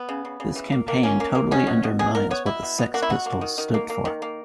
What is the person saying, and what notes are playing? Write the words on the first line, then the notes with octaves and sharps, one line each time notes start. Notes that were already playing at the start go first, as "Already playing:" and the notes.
This campaign totally undermines what The Sex Pistols stood for.
Already playing: B3
C#3
C#3
C#3
E3
A#3
A#3
A#3 C#4
A#3
A#3
B2 C#4
B2
B2
B2 G#4
B2 A#4
B3 C#5
B2 E4
B2
B2
A#3 F#4
E4
B2 F#4
A#3
D#3
D#3
A#3
A#3
D#3
A#3